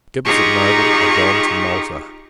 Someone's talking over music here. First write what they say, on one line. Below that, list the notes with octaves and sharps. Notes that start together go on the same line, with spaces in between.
Gibbs and Noble are gone to Malta.
D#4 F4 G4 G#4 A#5 C#6